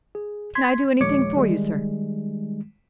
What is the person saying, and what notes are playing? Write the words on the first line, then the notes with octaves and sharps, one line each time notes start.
"Can I do anything for you, sir?"
G#4
C6 G#6 B6
A#1 D#2 G#3 C#5 D6 C#7
D#3 G3 G#3